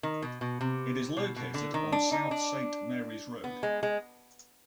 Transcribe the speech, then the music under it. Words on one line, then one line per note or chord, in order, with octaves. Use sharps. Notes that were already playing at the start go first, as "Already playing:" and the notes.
It is located on South Saint Marys Road.
D#3
B2
B2
C3
B2
B2
D3
D#3
D4
D#4
D4
B3
G#3
G#3